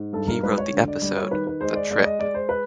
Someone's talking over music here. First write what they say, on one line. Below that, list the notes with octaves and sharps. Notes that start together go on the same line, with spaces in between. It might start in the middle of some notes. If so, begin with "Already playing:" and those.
He wrote the episode "The Trip".
Already playing: G#2
G2 A4
A#4
G#1 B4
C#5
D3
D5
G3 D5
C#5
D#3 B4
B4
G#3 C5
D5
G#3 D5
D#5
G#3 D5
C5
B4